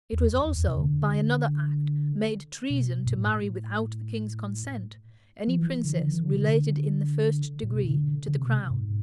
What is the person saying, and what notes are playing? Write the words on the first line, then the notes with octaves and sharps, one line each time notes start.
It was also, by another act, made treason to marry, without the king's consent, any princess related in the first degree to the crown.
E2
F2
E2
C3
D3
B2
G#2
A2
F3
E3
D3
E3
D3
E3
D3
C3
D3
A2
B2
C3
D3
D3
C3
B2
C3
G#2